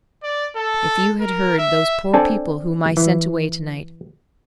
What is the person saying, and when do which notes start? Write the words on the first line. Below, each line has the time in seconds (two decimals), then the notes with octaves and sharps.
If you had heard those poor people whom I sent away tonight!
0.23 D5
0.56 A4
1.20 A#4
1.59 E5
2.13 C4 D4 A4 D5 G#5 A5
2.97 E3